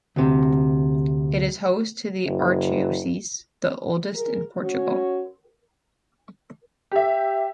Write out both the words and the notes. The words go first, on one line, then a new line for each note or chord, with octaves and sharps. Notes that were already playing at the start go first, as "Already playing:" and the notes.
It is host to the archdiocese, the oldest in Portugal.
D2 C3
F#1
G#4 A#4
C#4 F#4 C#5
G4 E5 G5